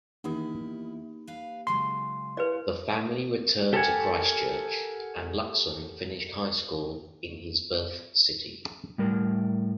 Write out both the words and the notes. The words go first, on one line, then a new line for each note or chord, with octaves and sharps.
The family returned to Christchurch and Luxon finished high school in his birth city.
E2 D#3 A#3 D#4 E4 G4
B4 F5
C#3 F#3 G#3 C6
E4 A#4 B4 D5 F5
G4 A4 A#4 C5 F#5 G#5
A2 G3 A#4